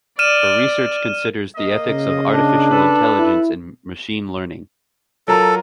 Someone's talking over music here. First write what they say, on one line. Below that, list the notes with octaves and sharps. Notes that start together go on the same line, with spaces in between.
Her research considers the ethics of artificial intelligence and machine learning.
D5 F6 D#7 E7
A#3 D#5
C#3
D4
A4 B4
E4
F#3 F4 A4 A#4